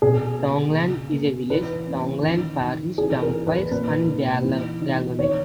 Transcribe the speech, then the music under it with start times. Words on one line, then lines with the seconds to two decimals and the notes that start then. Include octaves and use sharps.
Tongland is a village in Tongland Parish, Dumfries and Galloway.
0.02 B2 G#4
0.39 A#3
0.75 C#3
1.12 A#3
1.50 E3 B4
1.86 C#4
2.23 D#3
2.60 D#4
2.98 E3 G#4
3.22 A#4
3.34 E4
3.47 B4
3.71 A#2 B4
4.08 D#4
4.44 E3
4.81 D#4
5.18 D#3 C#5